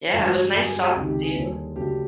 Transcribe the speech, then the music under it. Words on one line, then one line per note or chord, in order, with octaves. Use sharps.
Yeah, it was nice talking to you.
G2 E3 G#3
F#4
G4
G2 D3 F#3 G#4
G#4
G4
C#2 C3 D#3 G4
G4
G#4
D#2 D3 G3
D2 C#3 F#3 G4